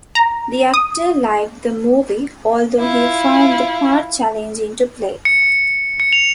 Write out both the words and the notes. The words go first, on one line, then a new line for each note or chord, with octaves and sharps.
The actor liked the movie although he found the part challenging to play.
A#5
D#6
E4 F4
C#7
C#7
F7